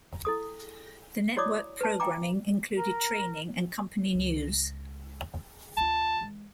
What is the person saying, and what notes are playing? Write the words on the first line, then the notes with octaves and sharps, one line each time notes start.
The network programming included training and company news.
E4 A4 D#6
E4 F#4 C#5 D5 D6 D#6
B4 A5
E5 G5 G#5 A#5 D6
A#4
C#2 G#3
D2 F4 A5
E3 G#3